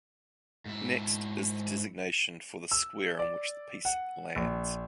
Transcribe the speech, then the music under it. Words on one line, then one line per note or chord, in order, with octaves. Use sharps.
Next is the designation for the square on which the piece lands.
G#2 E4
E6
D5
F#5
A#1